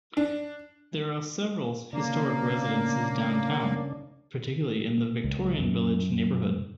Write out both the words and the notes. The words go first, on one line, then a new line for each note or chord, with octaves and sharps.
There are several historic residences downtown, particularly in the Victorian Village neighborhood.
D4
C#3 A#3 D4
C#2
F#2